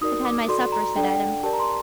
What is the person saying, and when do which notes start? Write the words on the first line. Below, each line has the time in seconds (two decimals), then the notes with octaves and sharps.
"I've had my supper," said Adam.
0.01 D#4 F#4 A#4 D5 D#6
0.25 D6
0.48 F#4 A4 D5 C6
0.72 A#5
0.96 D4 A4 D5 G5
1.04 F#5
1.12 G5
1.43 G4 A#4 D5 A5
1.53 A#5
1.60 C6